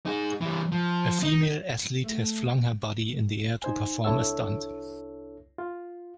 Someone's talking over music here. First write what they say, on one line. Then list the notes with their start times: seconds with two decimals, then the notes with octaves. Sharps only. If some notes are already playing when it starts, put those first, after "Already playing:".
A female athlete has flung her body in the air to perform a stunt.
0.06 D#4 G#4
0.41 E3 G3
0.72 F3
1.23 D#4
2.04 A3
3.62 D#4 C5 G#5
4.05 C2 D4 E4 A4 C#5 E6
5.58 F4